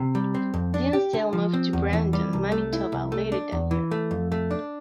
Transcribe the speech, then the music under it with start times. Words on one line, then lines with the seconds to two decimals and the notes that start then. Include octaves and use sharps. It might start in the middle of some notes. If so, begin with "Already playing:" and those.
Dinsdale moved to Brandon, Manitoba later that year.
Already playing: C3
0.15 G3
0.34 C4
0.54 F2
0.74 D4
0.93 G4
1.13 D3
1.33 F3
1.53 C4
1.73 E2
1.93 E3
2.13 G3
2.33 C2
2.52 A3
2.73 E4
2.92 C2
3.12 A3
3.32 D4
3.52 E2
3.71 E3
3.91 A3
4.11 F2
4.32 A3
4.51 D4